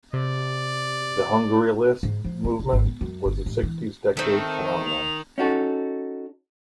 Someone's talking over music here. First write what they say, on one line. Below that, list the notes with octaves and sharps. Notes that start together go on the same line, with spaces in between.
The Hungryalist movement was a sixties decade phenomenon.
C3 D5
G#2
F3
C4
A1
G#1
B3
F#2
G1
A1
E3
D#3 A3 C4
F7
C#4 D#4 F#4 A4